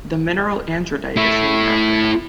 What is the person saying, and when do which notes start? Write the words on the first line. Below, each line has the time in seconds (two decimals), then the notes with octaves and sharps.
The mineral andradite is named after him.
1.17 A3 E4